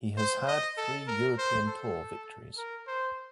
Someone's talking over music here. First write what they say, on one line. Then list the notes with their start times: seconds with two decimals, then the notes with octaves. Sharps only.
He has had three European Tour victories.
0.17 C5
0.48 D#5
0.78 A4
1.07 A#4
1.38 C5
1.67 A4
2.58 A#4
2.88 C5